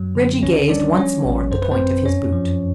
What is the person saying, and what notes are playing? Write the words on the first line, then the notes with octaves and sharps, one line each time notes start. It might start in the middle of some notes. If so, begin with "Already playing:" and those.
Reggie gazed once more at the point of his boot.
Already playing: F#2 F#3
D3
C#2 C#4 C#5
G3 D4 D5
F3 C#4 C#5
A1
F#2 C5
B4
C4 C5
F#2
F2 C#4 C#5
F3